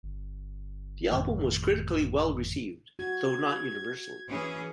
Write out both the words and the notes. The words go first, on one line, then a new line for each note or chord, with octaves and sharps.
The album was critically well-received, though not universally.
G1
F2 A2 D#3
F#4 G#6
E3 C#4 G#4